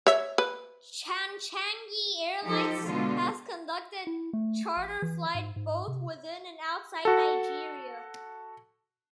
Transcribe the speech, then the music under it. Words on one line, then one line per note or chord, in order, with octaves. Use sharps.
Chanchangi Airlines has conducted charter flight both within and outside Nigeria.
C#5 E5
B4
F3 D#4 G4 A4
B2 D3 G#3 F4
E4
A3
A1
E3
G#2
G#2
C3
F#4 A4